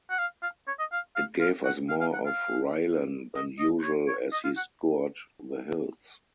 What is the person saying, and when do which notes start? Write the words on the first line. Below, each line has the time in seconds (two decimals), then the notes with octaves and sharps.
It gave us more of Raylan than usual as he scoured the hills.
0.10 F#5
0.19 F5
0.43 F5
0.67 C#5
0.79 D#5
0.92 F5
1.16 F5
1.40 F5
1.64 F#5
1.89 F5
2.01 F5
2.14 F#5
2.26 F5
3.35 D#5
3.59 D#5
3.84 C#5
4.08 C#5
4.33 D#5
4.44 F5
4.57 F#5